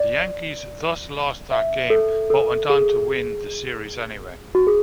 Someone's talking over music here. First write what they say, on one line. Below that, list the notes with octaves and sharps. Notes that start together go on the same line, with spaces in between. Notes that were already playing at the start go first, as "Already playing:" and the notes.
The Yankees thus lost that game but went on to win the series anyway.
Already playing: D5
E5
A4
A4
G#4
F#4
G#4